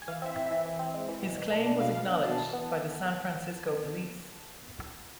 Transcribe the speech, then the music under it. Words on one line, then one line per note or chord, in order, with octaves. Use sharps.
His claim was acknowledged by the San Francisco Police.
G#5
E3 F5
C4 E5
E3
E3 E5
E3
C4
G#3
E3
B2
B2
D4
D4
B2 F5
B2 F5
D4
B2 A5
E3
B3